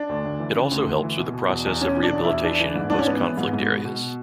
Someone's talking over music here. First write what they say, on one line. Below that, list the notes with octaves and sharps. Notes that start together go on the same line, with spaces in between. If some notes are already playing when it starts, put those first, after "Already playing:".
It also helps with the process of rehabilitation in post-conflict areas.
Already playing: D4
D2
D2
E3
C#3
D2
D2
E3
B2
B2
E2
E2
B2 C#4
B2
D4
E2
E2 E4
E3 D4
E3
G#2
G#2 D4
C#4
E3 B3
E3
G#2
G#2
B2
B2